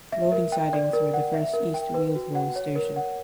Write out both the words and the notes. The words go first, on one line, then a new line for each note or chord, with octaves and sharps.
The loading sidings were the first East Wheal Rose station.
E5
A#4
G5
D5
A#4
F#5
E5
A#4
G5
B4
F#4
F#5
C#5
A#4
F#5